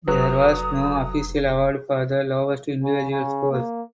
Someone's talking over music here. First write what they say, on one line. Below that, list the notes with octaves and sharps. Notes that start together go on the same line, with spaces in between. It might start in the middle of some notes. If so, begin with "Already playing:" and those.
There was no official award for the lowest individual scores.
F1 F#3 A4 B4 D#6
C#3
C#3
A#3